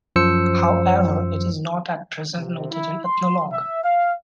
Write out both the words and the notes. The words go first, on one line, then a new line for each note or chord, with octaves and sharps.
However, it is not at present noted in "Ethnologue".
F#2 F3 C5 E6 C#7
C3
E4
C6
E5
F5